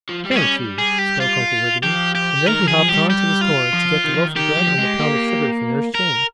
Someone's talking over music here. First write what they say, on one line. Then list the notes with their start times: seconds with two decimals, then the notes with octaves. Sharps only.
"Thank you," spoke Uncle Wiggily, and then he hopped on to the store to get the loaf of bread and the pound of sugar for Nurse Jane.
0.09 F3
0.25 G3
0.31 C4
0.35 G#3 C#4
0.41 G3
0.78 G#4
0.98 G4
1.20 F4
1.83 F3 G4
2.15 G4
2.46 D#3 A#4
2.62 F3
2.68 G#4
2.78 F3
2.89 F3 G4
2.94 G3
3.10 G4
3.41 F4
3.74 F3
4.04 D#3
4.14 F3
4.24 D#3
4.36 D#3 G4
4.57 F3
4.78 G#3
4.99 A#3
5.95 A#4